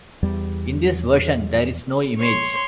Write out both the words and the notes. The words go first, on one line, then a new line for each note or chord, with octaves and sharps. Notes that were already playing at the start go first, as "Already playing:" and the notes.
In this version there is no image.
E2 G3
C#5 C6